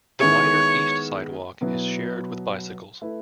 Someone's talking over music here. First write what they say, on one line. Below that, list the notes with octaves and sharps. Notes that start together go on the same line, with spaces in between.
The wider east sidewalk is shared with bicycles.
D#3 G#3 B3 E4 G#4 C#5
B2 F#3 B3 E4
A3 E4 B4